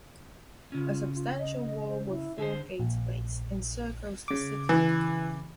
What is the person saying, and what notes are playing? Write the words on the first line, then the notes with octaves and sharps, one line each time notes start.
A substantial wall with four gateways encircles the city.
C#3 C#4 F4
F4
D#5
C5
E4
D3 G#4 C5
A#1
C#3 D6
E3